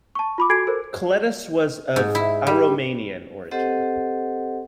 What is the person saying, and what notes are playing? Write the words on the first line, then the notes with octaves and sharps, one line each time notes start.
Kolettis was of Aromanian origin.
A5 C#6
F4 B5 D6
F#4 A4 G#5 G#6 C7 D7
A4 A#4 C5
G#2
E4
G3
C4 G4 A4 C5 D#5 F#5